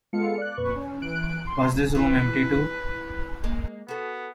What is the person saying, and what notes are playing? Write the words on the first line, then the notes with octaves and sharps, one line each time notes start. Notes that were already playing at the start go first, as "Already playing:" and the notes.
Was this room empty, too?
G#3 B3 F4 A4 F5 C#7
D5 F#6
F2 A#2 B4 C#6
C#4
E3 F#6 D7
C6
E3 B4
G#3 A#3
B3 F#4 A4